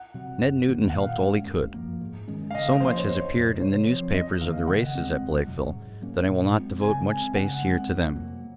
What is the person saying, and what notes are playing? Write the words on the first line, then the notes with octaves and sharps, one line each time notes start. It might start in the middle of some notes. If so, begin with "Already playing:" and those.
Ned Newton helped all he could. So much has appeared in the newspapers of the races at Blakeville that I will not devote much space here to them.
Already playing: F#5
C3 F#3
F#2
D#3 A#3
F#5
A#2 F5
G#3 C#4
F#2
F3 A#3
G#2
D#3 G#3 C#4
F5
C#3 D#5
F3 A#3 C#4 C5
C#5
F2 C5
C3 F#3
C3 C#5
F3 C4
F2 D#5
D#3 A#3 F5
C#3 F#5
G#3 C4
F2
C3 F#3
G#2
F#3 A#3 C#4
A#2
G#3 C4
C#3 G#5
G#3 C4 G#5
C#3 F#5
G#3 C4
F2
C3 F#3 A#3